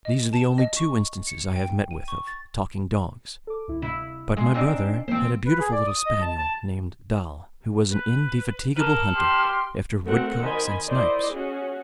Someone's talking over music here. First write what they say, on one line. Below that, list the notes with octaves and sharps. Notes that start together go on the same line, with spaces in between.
These are the only two instances I have met with of talking dogs, but my brother had a beautiful little spaniel, named Doll, who was an indefatigable hunter after woodcocks and snipes.
D#5
A5
D#5
C#6
C#7
G5
D#7
C#6
A6
A4 D6
D2 E4
C3 E4
G#3 G#5 E6 C7
C4 D4 D#4
E3 F3 A#3 C4 C5
B4
G#4
D5
D#6
D#5
A5
A5
B4
A#4 B4 A5 F6
G4 C6
A3 C4 F#4 A#4 F#5
D#3 A#4 C5 D#5 G#5 B5
E4 C5 D5 D#5
C#4 F#4 G#4